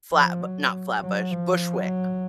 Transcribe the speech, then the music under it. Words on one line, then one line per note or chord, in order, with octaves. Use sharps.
Flatbu not Flatbush, Bushwick,
F3
F#3
F#3
F3
F#3